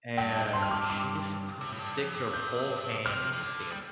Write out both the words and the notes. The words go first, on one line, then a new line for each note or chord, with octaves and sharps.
And she just put sticks her whole hand in the salmon
G2 G5
A5
C6
F6
D6
D6
C3
A2
G2
F2
G2
G6
C3 F6
C3
D3
G3